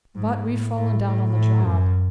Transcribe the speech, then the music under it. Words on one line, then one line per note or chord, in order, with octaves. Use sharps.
But we've fallen down on the job.
G#2
A2
A2
A2
A2
F#2